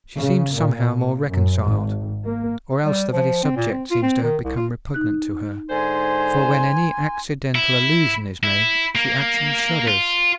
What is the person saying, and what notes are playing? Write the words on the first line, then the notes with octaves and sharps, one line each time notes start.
She seems somehow more reconciled; or else the very subject seems to have become repugnant to her, for when any accidental allusion is made she actually shudders.
C#3
A#2
A#2
F#2
G#1
A#3
G3
F3
C4
A#2
C4
F4
C4
D#3
C2
F4
D#4 F#6
G#2 D3 C5 G#5 C6 G#6
E4
E4
A#3
F4